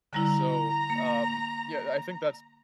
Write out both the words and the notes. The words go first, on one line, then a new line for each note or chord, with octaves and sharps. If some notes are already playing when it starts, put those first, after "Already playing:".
So, um, yeah, I think that's
D3 G3 E4 A#5
A#3